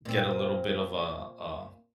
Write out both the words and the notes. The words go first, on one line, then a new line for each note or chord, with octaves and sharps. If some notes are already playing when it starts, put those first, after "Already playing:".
get a little bit of, uh uh
A#2 C4